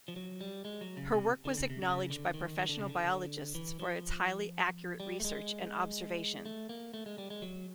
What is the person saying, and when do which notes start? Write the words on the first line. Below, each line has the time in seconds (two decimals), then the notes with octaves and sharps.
Her work was acknowledged by professional biologists for its highly accurate research and observation.
0.08 F3
0.16 F#3
0.41 G3
0.65 G#3
0.81 F#3
0.97 C#3
1.14 C3
1.45 D3
1.57 C#3
1.70 C3
1.82 C#3
2.10 D3
2.34 D#3
2.58 D#3
2.69 D3
2.79 C#3
2.89 D3
3.55 E3
3.79 F3
5.00 G3
5.20 A3
5.24 G#3
6.46 A3
6.69 A#3
6.94 A3
7.06 G#3
7.18 G3
7.30 G#3
7.42 F#3